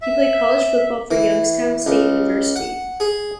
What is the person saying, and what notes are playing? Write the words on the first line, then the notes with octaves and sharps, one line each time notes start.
He played college football for Youngstown State University.
E5
E3
C#2
F#5
G#4